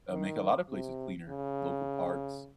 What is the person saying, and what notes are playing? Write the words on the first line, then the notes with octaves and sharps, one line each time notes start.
uh, make a lot of places cleaner, local parks,
D#3
C3
C#3